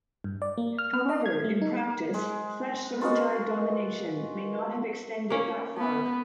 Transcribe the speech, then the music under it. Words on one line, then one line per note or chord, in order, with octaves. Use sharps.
However, in practice, such Sukhothai domination may not have extended that far.
G2
D5
A#3
F6
F6
D#5
G#6
A3
D#4
G#3 C5
F4 F#4 G#4 A#4 B4 D#5
A#3 C#4
B3